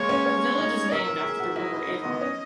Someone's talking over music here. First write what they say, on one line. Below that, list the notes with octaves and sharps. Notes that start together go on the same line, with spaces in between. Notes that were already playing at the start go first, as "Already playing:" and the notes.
The village is named after the River Avon.
Already playing: G#3 A#3 C#5
C#4
C#4
D#4
A#4 E5
A#4
G#4
F#4
E4 D#5
E4
D#4
B3
C#4